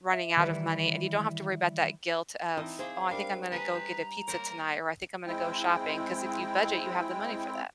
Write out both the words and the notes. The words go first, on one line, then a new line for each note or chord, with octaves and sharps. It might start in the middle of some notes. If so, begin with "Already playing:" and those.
running out of money, and you don't have to worry about that guilt of, "Oh, I think I'm gonna go get a pizza tonight," or, "I think I'm gonna go shopping," 'cause if you budget, you have the money for that.
E5
D#3 E3 G3 E4 B4
E3 C4 D4 D#4 D#5
G#4 C5 F5 G5 D6
G3 D4 A#4 F5
B4 D#5 G#5 A#5 C6
C5
A#3 A#4 C5 C#5
G#3 C4 E4 G5